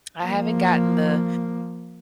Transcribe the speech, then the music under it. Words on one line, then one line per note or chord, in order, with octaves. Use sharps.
I haven't gotten the
F3 A#3